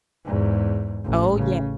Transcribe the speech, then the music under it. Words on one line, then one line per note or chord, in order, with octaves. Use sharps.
Oh, ye
E2 G#2
A1
C#3